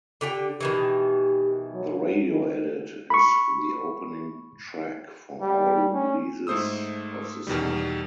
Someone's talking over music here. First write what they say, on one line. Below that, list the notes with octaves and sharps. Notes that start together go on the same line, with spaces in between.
The radio edit is the opening track for all releases of the song.
D3 G4 G5
B2 D#3 E3 G4
F#3
D#3
B5 C#6
G3
C#4
G#2 A3 C5 D#6 E6
E2 B2 D#3 G3